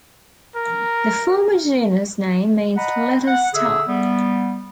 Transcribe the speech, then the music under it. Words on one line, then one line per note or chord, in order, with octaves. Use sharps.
The former genus name means "little star".
A#4
D#5 F#5 A#5 B5
F#5
D3 G#4 E5 E6
G3 B3